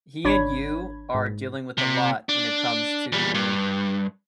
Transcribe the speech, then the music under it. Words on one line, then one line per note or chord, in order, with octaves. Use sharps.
he and you are dealing with a lot when it comes to
G#1 D4 C#5 B5 G#6
G#2
C3
D4
E2 G3
G2